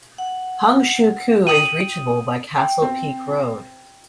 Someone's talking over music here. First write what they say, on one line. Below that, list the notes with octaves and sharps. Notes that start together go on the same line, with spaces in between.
Hung Shui Kiu is reachable by Castle Peak Road.
F#5
G5 D#6 C#7 D#7 F#7
G5
C4